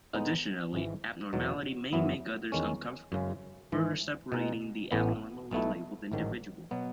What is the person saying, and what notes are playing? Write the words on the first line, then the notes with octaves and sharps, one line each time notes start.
Additionally, abnormality may make others uncomfortable, further separating the abnormally labelled individual.
A2 G#3 B3 D#4
G#1 G#2 E3
E2 B2 F#3
F#2 E3 B3 E4
E2 D#3 G#3 C#4
F#2 C#3 G#3
G#2 E3 G#3
B2 G#3 D#4
A1 A2 E3 B3
B1 B2 A3 E4
A1 G#2 D#3 F#3
B2 F#3 B3